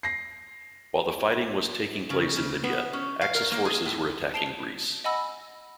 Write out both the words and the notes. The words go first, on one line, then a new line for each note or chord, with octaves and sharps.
While the fighting was taking place in Libya, Axis forces were attacking Greece.
A#6 C7
C#3
C#3
B3
C#4
F5
A#4
A#3
G#4
A2
A5 C7 D7 F7 G7
D#5 F#5 G#5 B5 E6 A#6